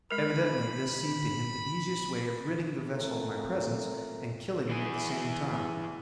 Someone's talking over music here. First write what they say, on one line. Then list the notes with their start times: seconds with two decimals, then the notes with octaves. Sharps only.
Evidently this seemed to him the easiest way of ridding the vessel of my presence and killing me at the same time.
0.11 G#3 A#4 B5
2.92 A#2 A3 A#3 C4 A4 A#4
4.69 E3 G#4